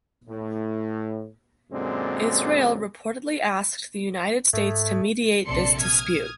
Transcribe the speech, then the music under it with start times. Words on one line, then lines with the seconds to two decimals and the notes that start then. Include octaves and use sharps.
Israel reportedly asked the United States to mediate this dispute.
0.29 A2
1.72 F#2 A#2 D3 G#3 C4
4.53 G#2 A3
5.46 A#1 C3 A4 D5 C6 C#7
5.79 D#6 F6 G#6